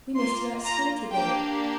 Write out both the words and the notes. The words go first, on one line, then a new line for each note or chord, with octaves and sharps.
"We missed you at school to-day."
A#3 F4 C6
A#5
A#3 D4 G4 G5